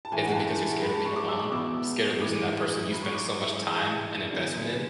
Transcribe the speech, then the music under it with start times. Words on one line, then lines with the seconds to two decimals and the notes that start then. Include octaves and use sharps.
Is it because you're scared of being alone? Scared of losing that person you spent so much time and investment in?
0.05 A5
0.12 A2 E3 G#3 G#5
0.24 F#5
0.30 A5
0.35 G#5
0.82 G#2 G#3 B5
0.94 A5
1.05 C#6
1.16 D6
1.28 E6
1.39 D6
1.52 E2 B2 G#3 D6
2.21 A2 E3 G#3 D6
2.91 G#2 F#3 B5
3.03 C#6
3.15 D6
3.26 C#6
3.44 E5
3.62 G#2 E3 G#3
4.31 E2 D3 F#3 D5
4.42 G#4
4.66 B4